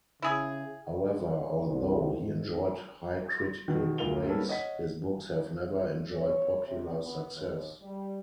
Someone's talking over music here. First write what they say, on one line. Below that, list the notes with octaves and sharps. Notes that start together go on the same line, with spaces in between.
However, although he enjoyed high critical praise, his books have never enjoyed popular success.
C#3 E4 G#4
C2
G#2
B2 D#3 D#4
D2 F4 A#4 F7 G7
G3 A#3 B3 C#4 A4 A#4
C#5 D#5 F#5 B6
C#5
C3
B3
D#2
G3